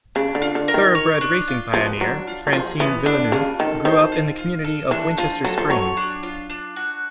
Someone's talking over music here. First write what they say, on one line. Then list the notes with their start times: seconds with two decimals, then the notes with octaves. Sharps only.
Thoroughbred racing pioneer Francine Villeneuve, grew up in the community of Winchester Springs.
0.15 C#3 D4
0.35 D3
0.42 F4
0.55 D3
0.68 A#4
0.74 D#3
0.95 C#5
1.21 D4
1.48 F4
1.74 F3 B3
2.00 F#3 D4
2.27 F4
2.47 F#3
2.53 F3 G#4
2.80 E3 B3
3.06 D3 D4
3.32 C#3 F4
3.59 D#3 A4
3.85 D#3 C5
4.12 F4
4.39 F4
4.65 A4
4.91 E3 D4
5.18 F3 F4
5.44 F#3 A4
5.58 F3
5.70 F#3 C#5
5.97 D4
6.23 F4
6.50 D4
6.76 F#4